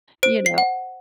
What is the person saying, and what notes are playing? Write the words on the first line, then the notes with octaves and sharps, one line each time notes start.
you know.
C5 D7
C7
F#5